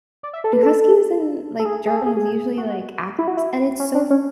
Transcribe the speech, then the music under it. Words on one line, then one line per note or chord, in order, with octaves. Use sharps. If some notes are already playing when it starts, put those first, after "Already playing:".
do Huskies and, like, Germans usually, like, act like this?" and it's so funny
D5
E5
A4
B4
A4
A4
G#4
G#4
A4
G#4
G#4
F#4
E4
F#4
E4
C#4
D4
C#4